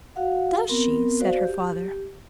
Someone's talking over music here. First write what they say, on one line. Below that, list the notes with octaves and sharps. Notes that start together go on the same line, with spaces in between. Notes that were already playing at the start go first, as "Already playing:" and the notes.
'Does she?' said her father.
F#4 F5 F#5
B3 C4 A#4
F#4 C5 D5 F5
G4